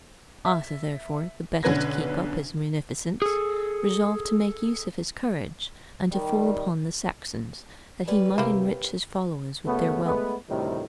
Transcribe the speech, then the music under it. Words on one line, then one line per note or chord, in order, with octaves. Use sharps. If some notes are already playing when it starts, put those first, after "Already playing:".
Arthur, therefore, the better to keep up his munificence, resolved to make use of his courage, and to fall upon the Saxons, that he might enrich his followers with their wealth.
E5
B1 D3 C#4 B4 G#6 A#6
G#4 A4
D#3 G3
C#4 G4 B4 D5
C3 G3 A#3 E4
F#2 C#3 A3 B3
G#3 A3 B3
D2 A2 C3 D#3 G3